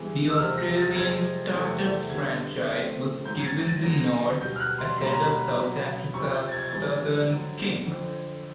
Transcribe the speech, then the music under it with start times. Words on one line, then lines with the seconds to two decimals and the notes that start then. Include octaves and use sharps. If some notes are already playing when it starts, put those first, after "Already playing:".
The Australian start-up franchise was given the nod ahead of South Africa's Southern Kings.
Already playing: G2 E3 G#3 B3
0.30 E6
0.38 E2 C3 F3 F6
0.58 A#6
0.77 A6
0.96 F2 C3 F3 G#3 G#6
1.53 E2 C3 E3 A3 C4
2.10 D3 G3 B3 G#6
2.68 A2 F3 A3 C4
3.25 G#2 D#3 F#3 G6
3.40 G#6
3.45 A6
3.59 A#6
3.64 A6
3.83 D3 F#3 B3 A#6
4.41 B2 G3 B3 G6
4.56 F6
4.60 F#6
4.79 C6
4.98 B2 G3 A#3 C#4 C6
5.06 B5
5.14 A#5
5.22 B5
5.56 B2 F#3 B3
6.13 F2 C3 F3 C#6
6.33 G6
6.48 A6
6.52 G#6
6.63 G#6
6.71 G#2 E3 G3 B3 A6
7.28 F2 D3 F#3
7.86 F2 D3 F3